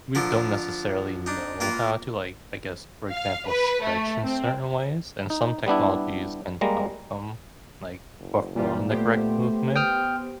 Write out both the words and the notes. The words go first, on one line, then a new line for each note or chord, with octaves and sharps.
we don't necessarily know how to, like, I guess, for example, stretch in certain ways, and some technologies can help them, like, perform the correct movement.
D3 F3 F4 A#4
D4 D#4
A#3 F4 A#4 B4
F5
B4
A3
C4
D#4
G3 B3 D4 E4
G3 G#3 A#3 A#5
F#1
A#2 E3 G3 F4
A3 B3 G4 C5
G5 D#6 F6